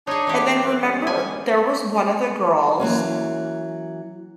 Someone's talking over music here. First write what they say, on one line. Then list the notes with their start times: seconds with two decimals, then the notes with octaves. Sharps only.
And then remember, there was one of the girls
0.07 D4 D#4 G#4 C#5
0.27 E3 G4
0.63 F#2 B4
0.82 G3 G#3 C#4
1.07 G#5
2.80 E3 F#3 A#3 C#4